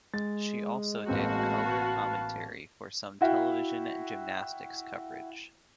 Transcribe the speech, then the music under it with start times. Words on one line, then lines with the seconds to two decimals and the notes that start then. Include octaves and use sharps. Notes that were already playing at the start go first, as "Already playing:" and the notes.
She also did color commentary for some television gymnastics coverage.
0.14 G#3 A6
1.08 A1 A#3 C4 F#4 B4 F5 A5
3.21 E4 F#4 E5 F5 G5